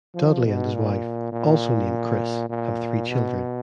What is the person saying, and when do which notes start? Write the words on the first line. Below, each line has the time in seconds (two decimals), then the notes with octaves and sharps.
Dudley and his wife, also named Chris, have three children.
0.15 F3
0.45 B2
0.74 A#2
1.32 A#2
2.50 A#2
3.09 B2